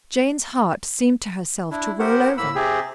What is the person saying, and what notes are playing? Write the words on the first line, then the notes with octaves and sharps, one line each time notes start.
Jane's heart seemed to herself to roll over.
D4 E4
B3 G4 A#4 C5 F#5
A2 A#3 B5 E6
C3 C4 G4 G#4